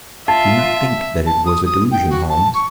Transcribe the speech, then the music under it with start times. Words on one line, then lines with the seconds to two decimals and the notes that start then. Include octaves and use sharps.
Do not think that it was a delusion, Holmes.
0.28 F4 E5 A5
1.26 A5
1.45 D#6
1.65 D#6
1.91 G5
2.09 F#4
2.29 A5
2.54 C#6